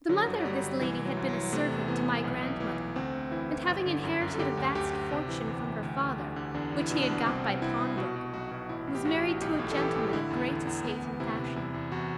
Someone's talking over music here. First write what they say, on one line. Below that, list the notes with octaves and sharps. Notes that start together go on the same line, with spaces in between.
The mother of this lady had been a servant to my grand-mother; and, having inherited a vast fortune from her father, which he had got by pawnbroking, was married to a gentleman of great estate and fashion.
D3 F#3
G1
F#3
G1 G3
G1
F#3
C2 E3
C2
F#3
C2
F#3
E3
C3 A3
E2
E3 B3
E3
B1
B1
E3
B1
D2 C4
D2
E3 E4
E3
G1
D3
F#2
F#2
A4
D3 G4
D2
D2 G4
D2
C3
E3
E2
E3
D2
D2
D3
D3
E2 D4
E2
E4
B2
D4
B2
C2 C4
C2
C2 E4
C2
B2 F#4
B2
B1 F#4
B2
A1 E4
A1
G4
A1 F#4
A1
B1 G4
A2
A4
E3 G4
A2
D3 E4
E2
D3
E2
D2 B3
E3
C3 E4
C3
E2 E4
E2
E2 F#4